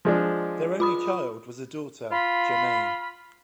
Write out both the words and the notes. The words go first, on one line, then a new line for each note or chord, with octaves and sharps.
Their only child was a daughter Germaine.
F3 G#3 D4
F4 B5 D#6
F4 B5